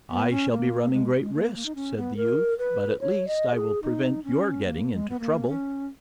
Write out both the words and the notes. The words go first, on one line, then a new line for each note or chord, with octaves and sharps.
"I shall be running great risks," said the youth, "but at least I will prevent your getting into trouble."
B3
C#4
A#3
G#3
G#3
A#3
A#3
D#4
C#4
B3
A#4
B4
C#5
D#5
G#4
D#4
C#4
A#3
G#3
B3
A#3
C#4